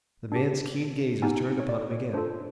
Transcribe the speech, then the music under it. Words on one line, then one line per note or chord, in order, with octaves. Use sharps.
The man's keen gaze was turned upon him again.
D4 G4
B3 D#4 G4 G#5
C#5
D5
C#5
A3 D4 F4 A4 C5